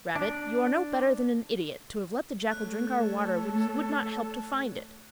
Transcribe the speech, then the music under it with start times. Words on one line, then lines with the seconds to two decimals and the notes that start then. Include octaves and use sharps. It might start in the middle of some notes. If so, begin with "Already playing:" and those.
'Rabbit, you are no better than an idiot to have let the jackal drink our water when he would not help to find it.
0.16 D4
2.52 A3 A4 C#5 F#6